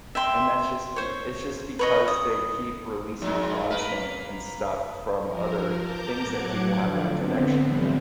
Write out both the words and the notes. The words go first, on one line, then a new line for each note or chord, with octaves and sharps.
and that's, just, be it's, just, because they keep releasing content and stuff from other things that people have that connection with.
E5 G5 C6
C5 C#5
B4 C#5 D#5
D#6
F2 G#2
A#3 A#4 B4
F3 A#4
A5 A#5 D6 G6
A2 F#3 F#5 D6 F#6 G#6
D3 F3
D3 B3 C4
A2 E3 F3 G3